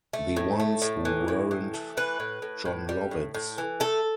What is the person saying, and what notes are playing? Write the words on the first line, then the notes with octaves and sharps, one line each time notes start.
The ones who weren't Jon Lovitz.
A3
A2
A3
A2
E3
A2
E3
A3
E3 B4
A2
A2
A2
G3
A2
A2
E3
A3 A4